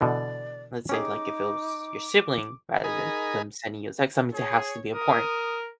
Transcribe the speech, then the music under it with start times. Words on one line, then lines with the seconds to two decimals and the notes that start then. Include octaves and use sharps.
let's say, like, if it was your sibling, rather than them sending you a text, that means it has to be important.
0.01 B2 D3 E3 D5
0.89 C#4 D#4 G4 G#4 D6
2.84 D#4 G#4 A#4 D#5 G#5 B5
4.34 G#4 C#5
4.96 A#4 D#6